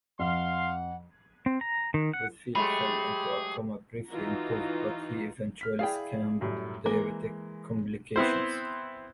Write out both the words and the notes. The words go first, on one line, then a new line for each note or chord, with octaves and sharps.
Whitfield fell into a coma, briefly improved, but he eventually succumbed to diabetic complications.
F2 F5 F#5 C6
C4
A#5
D#3
F#5
F#3 G#3 A3 G4 G#4 B5
E3 D#4 F4 F#4 A#5
F6 B6
E4 G#4 D5 F5 G5
F#2 A2 G3
E3 G#3 A#3 A#4
B3 C4 E4 C5